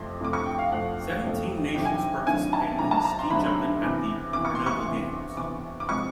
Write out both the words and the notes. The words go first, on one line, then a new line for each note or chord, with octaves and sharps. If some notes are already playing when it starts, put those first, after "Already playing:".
Seventeen nations participated in ski jumping at the Grenoble Games.
Already playing: F2 C3 F3 A3 C6
F2 C3 F3 A3 D6
C#6
G5
F5
F2 C3 F3 A3 F#5
F2 C3 F3 A3
D2 C3 D#3 F#3 G5
G#5
G5
D2 C3 D#3 F#3 G#5
A5
D2 C3 D#3 F#3 A#5
A5
A#5
C6
D2 C3 D#3 F#3 B5
E2 C3 E3
E2 C3 E3 D6
C#6
C6
C#6
E2 C3 E3
E2 C3 E3 D6
D6
C3 F3 G#3 C4 C#6